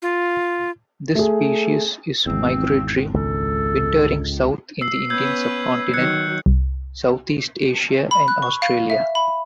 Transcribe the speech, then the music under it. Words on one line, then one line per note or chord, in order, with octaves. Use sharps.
This species is migratory, wintering south in the Indian Subcontinent, Southeast Asia and Australia.
F4
A3 G#4
G#1 E2 C4
C#2 A4
E6 C7
B3 C#4 B4 E6 G6 G#6
D#3 F#3 F#6 G#6 C#7
C2
B5
F#6
C#6
F5
E5
B5